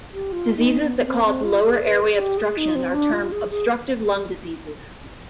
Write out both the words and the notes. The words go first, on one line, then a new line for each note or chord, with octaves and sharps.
Diseases that cause lower airway obstruction are termed obstructive lung diseases.
G4
F4
D#4
B3
B3
C4
C4
F4
G#4
B4
G#4
G4
G#4
D#4
C4
D4
F4
G#4
G#4